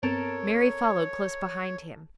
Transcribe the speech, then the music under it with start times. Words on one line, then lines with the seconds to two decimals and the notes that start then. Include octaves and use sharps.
Mary followed close behind him.
0.03 G2 B3 C4 A4 A#4 C#5 A5